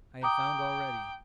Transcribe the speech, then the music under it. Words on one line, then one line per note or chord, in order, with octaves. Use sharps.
"I have found already."
G5 A#5 D6 D#6